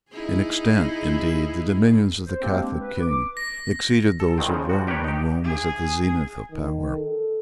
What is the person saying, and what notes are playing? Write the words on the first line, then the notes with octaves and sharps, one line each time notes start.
In extent, indeed, the dominions of the Catholic King exceeded those of Rome when Rome was at the zenith of power.
D#4 E4 G#4
C5
G#3 A#3 C4 D4 G4
B4
D6
A#6
A4
F2 A#2 D#3 E3 F#3 C4
C#3 F3
F3 G3 F#4
D4 G4 A#4 B4 C#5
D#4 G4
G#4
D#3
A4